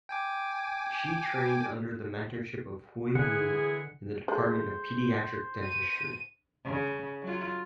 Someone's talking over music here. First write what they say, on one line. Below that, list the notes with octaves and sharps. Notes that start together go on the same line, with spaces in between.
She trained under the mentorship of Hui Wu in the Department of Pediatric Dentistry.
G5 G#5 D6
D3 E3 G#3 G#4 F#5
G#3 A3 C5
D#7
C#3
F#3 F4